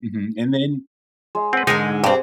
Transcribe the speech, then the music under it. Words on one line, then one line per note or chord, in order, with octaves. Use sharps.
mhm, and then,
G#3
C4 B4 F#5
G#2 D3 G#3 D#4 G#4 A#4 G#5
G2 C4 G4